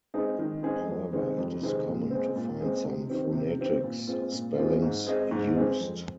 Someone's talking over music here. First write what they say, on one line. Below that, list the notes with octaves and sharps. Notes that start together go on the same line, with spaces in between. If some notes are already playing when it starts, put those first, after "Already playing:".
However, it is common to find some phonetics spellings used.
G#3 C4 D#4 G#4
D#3
G#3 C4 D#4 G#4
F2
C3 D#3 G#3 C4
F2
C3 D#3 G#3 C4
A#2
G#3 C4
A#2
G#3 C4
C3
D#3 C4
C3
D#3 C4
A#2
G#3 C4 F4
A#2
G#3 C4 F4
G#2
G#3 C4 G#4 D#5
G#2
G#3 C4 G#4 D#5
F2